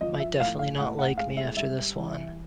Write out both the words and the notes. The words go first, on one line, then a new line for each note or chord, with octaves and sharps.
Might definitely not like me after this one.
F3 D#5
E5
A2 F5
F5
A2 F#5
F#5
G#3 F5
E5
G3 E5
E3